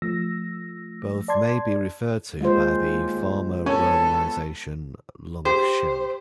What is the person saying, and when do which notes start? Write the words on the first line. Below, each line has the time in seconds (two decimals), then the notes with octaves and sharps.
Both may also be referred to by the former romanization Lung-shan.
0.02 F3 A3 E6 A#6
1.28 D5 A5 C6 G#6
2.41 D#2 G#3 F4 C5
3.66 B3 C#4 A4
5.45 G4 C5